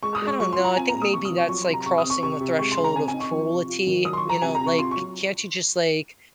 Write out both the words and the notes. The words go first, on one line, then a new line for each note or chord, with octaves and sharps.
I don't know, I think maybe that's like crossing the threshold of cruelty, you know, like, can't you just like,
G#3 C#6
D#6
G#3
C#6
F#3 C#6
C6
F4
A#5
C4 G#5
A#5
A#2
D#6
C3 C#6
D#6
F3
C#6
F#3 C#6
C6
C3
A#5
C3 C#6
D#6
C4
C#6
C3 C#6
C3
G#3 C#6
C6
C#3
A#5
C4 G#5
G#5
D#4
C#6
F3
C3
F4
D#3
F#3 D#6
C6
C#6
F4
A#5
C3 G#5
A#5
C3
C#6
F4 C6
C#6
F#3